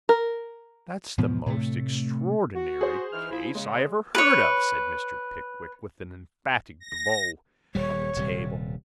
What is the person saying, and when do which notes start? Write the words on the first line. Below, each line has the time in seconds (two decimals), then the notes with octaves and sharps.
'That's the most extraordinary case I ever heard of,' said Mr. Pickwick, with an emphatic blow on the table.
0.09 A#4
1.18 G#2 B2 F3 B3
1.46 A2 C3 A3
2.55 F#4
2.81 G#4 C5
3.13 G#2 E3 F6
3.31 F3 E4
3.55 C#3 G#3
4.15 B4 C#5
6.80 A#6
7.75 D#1 G3 C#5
8.16 D#1 C3 G3